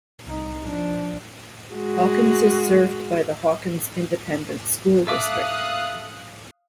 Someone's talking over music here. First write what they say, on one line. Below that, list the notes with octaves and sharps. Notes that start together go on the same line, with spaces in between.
Hawkins is served by the Hawkins Independent School District.
C2 D#4
F3 D4
G#3 F#4
A4 E5 F5 D6 D#6 F#6